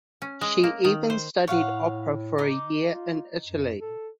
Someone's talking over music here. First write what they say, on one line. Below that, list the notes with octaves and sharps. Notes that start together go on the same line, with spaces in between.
She even studied opera for a year in Italy.
C#4
G#3
A#3
D#3
C5
A2 C#5 F5 F#5
D#4 D6
F4
F#2
A4